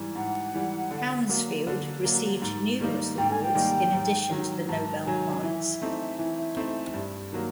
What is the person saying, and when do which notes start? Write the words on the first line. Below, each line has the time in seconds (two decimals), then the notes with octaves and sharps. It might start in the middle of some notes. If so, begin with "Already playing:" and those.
Hounsfield received numerous awards in addition to the Nobel Prize.
Already playing: G#2 E3 G3
0.15 G#2 F#5
0.54 E3 G3
0.91 D3
1.29 F#3 A#3
1.67 D3
2.05 F#3 A#3
2.42 G#2
2.79 D#3 G3 A#3 D#4
3.17 G#2 G5
3.30 G#5
3.42 G5
3.55 D#3 G3 A#3 D#4
3.93 G#2
4.31 D#3 F#3
4.68 G#2 A5
5.06 D#3 F#3 G#5
5.37 D#5
5.43 E3 E5
5.82 A3 C4 D#4
6.19 E3
6.57 A3 C4 D#4
6.94 G2
7.32 D#3 F#3 A#3